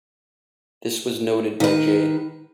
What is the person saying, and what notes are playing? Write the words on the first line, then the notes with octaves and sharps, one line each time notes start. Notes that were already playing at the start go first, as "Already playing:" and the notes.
This was noted by J.
D#3 B4